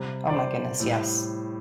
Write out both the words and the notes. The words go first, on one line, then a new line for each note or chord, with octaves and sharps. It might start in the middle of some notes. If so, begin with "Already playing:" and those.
Oh my goodness, yes.
Already playing: C3 G3
D5
C5
A2 G3